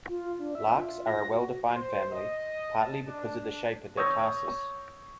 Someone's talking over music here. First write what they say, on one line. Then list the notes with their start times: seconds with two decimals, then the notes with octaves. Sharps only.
Larks are a well-defined family, partly because of the shape of their tarsus.
0.08 F4
0.39 D4
0.55 E5
0.77 F4
1.07 A#6
1.31 F#4
1.74 C5
2.11 D#5
2.76 A5
3.07 D4
3.97 C#5 D#6 E6 G6 A#6